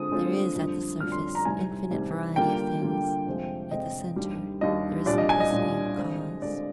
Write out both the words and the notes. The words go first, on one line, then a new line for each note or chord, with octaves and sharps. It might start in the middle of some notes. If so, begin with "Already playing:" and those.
There is, at the surface, infinite variety of things; at the centre there is simplicity of cause.
Already playing: D3 G#3 C4 F4 D#6
D3 G#3 C4 F4
F2 D3 G3 D4 F4
F2 D3 G3 D4 F4 F6
C6
A#5
C2 C3 D#3 G3 G#5
C2 C3 D#3 G3
D3 G3 A#3 F4 G5
D3 G3 A#3 F4
F2 C3 F3 G#3
F2 C3 F3 G#3 D#5
D#2 D#3 G3 D4
D#2 D#3 G3 D4 D#5
C2 A#2 G3 D4 F4 D5
D#5
G#5
D#5
C2 A#2 G3 D4 F4
D3 G#3 C4
D3 G#3 C4 D5